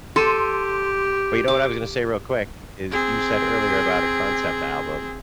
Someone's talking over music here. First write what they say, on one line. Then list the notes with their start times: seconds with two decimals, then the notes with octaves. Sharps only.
But, you know what I was gonna say, real quick, is you said earlier about a concept album.
0.16 G4 A4 C6 D#7
1.48 D6
2.91 C4 G#4